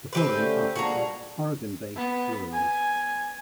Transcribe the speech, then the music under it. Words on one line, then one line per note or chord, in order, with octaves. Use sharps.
The following are some Oregon-based breweries.
C4 G4 B4
D3 A3 C#4
F3 A#3 D4 F#4 G#4 A#5
A#2 G3
B3
G#5